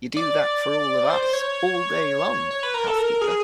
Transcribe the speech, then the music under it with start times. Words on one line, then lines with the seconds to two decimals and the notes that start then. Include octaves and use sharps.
You do that for all of us, all day long, housekeeper!
0.17 D5
1.10 C5
1.22 C5
1.33 C#5
2.51 C#5
2.63 B4
2.74 A#4
2.87 A4
2.98 A#4
3.21 G#4